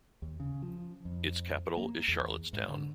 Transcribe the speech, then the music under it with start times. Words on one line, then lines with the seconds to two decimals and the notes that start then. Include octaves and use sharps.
Its capital is Charlottetown.
0.22 D#2
0.40 C#3
0.62 F3
1.05 F2
1.77 A#3
2.08 E2
2.53 G#2
2.69 D3